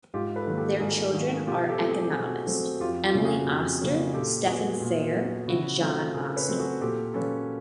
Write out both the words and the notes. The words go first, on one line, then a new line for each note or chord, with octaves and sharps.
Their children are economist Emily Oster, Stephen Fair, and John Oster.
G#2 F4 G4
A4 B4
D#3 F#3 A#3
G4 A4
G#2 G#4 A#4
D#3 F#3 A#3 F#4 G#4
B2 F4 G4
G4 A4
F#3 A3 C4
G#4
G4
B2 F#4 G#4
F#3 A3 C4
F2 F4 G4
F4 G4
C#3 F#3 A#3 C#4
F#4 G#4
F2
C#3 F#3 A#3 C#4
A#2 G4 A4
F#3 B3 F#4 G#4
A#2
F#3 B3
C#3 E4 F#4
F#3 A3 C4 F4
C#3 G#4 A#4
B4 C#5
F#3 A3 C4
F#4 G#4
A#2 G4 A4
F#3 A#3 C#4 A4 B4